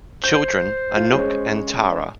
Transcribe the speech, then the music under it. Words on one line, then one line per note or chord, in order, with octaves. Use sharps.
Children: Anouk and Tara.
C5 G6
F4
G#3 C#4 C#5